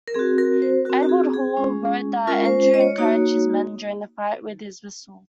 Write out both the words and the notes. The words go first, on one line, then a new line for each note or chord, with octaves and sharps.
Edward Hall wrote that Andrew encouraged his men during the fight with his whistle.
A#4
C4 F#4 G#4
A#4
C5
C4 F#4 A#4
F#4
G#4
G#4
G#3 C#4 F4 G#4
G#3 C#4 F4 A#4
C5
C5
D#5
C#5
A#3 D#4 F#4